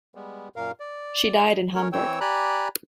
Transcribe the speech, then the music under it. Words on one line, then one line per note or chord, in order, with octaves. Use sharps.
She died in Hamburg.
G3 G#3 B3
F#2 A#2 A#4 F5
D5
A3 C#4 A#4 C#5
E3 C4 C#5 G5 E6
G4 D5 G#5 A#5 B5 F#6